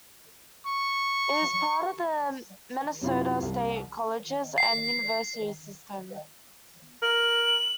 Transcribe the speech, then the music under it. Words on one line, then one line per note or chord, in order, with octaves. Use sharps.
It was part of the Minnesota State Colleges and Universities System.
C#6
F#2 C3 E4 F4
C2
C7
A#4 F#7